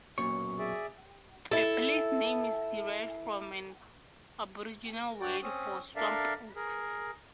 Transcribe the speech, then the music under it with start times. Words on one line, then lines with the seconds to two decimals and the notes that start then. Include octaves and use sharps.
The place name is derived from an Aboriginal word for "swamp oaks".
0.18 B1 F#2 A#2 C#5 C#6
0.59 G#4 D5 E5
1.51 E4 A4
5.21 G2 F#4 D5 G5
5.43 C4 C#4 D#6
5.96 D4 A4 A#4 D5 E5 F5
6.56 G#4 A#4